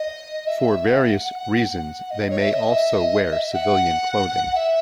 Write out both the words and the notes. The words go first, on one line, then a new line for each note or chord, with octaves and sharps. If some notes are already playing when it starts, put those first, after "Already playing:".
For various reasons, they may also wear civilian clothing.
Already playing: D#5
E5
F#5
F#5
D#5
C#5
E5
D#5
E5
D#5
D#5
E5
F#5
E5